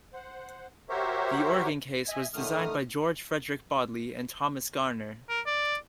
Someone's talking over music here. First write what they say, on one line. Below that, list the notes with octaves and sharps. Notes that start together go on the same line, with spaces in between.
The organ case was designed by George Frederick Bodley and Thomas Garner.
C5 F#5
F#4 G4 A#4 C5 C#5 E5
D#5 E5 G#5
A2 D3 D#3 A3 D#6 F6
A#4
D5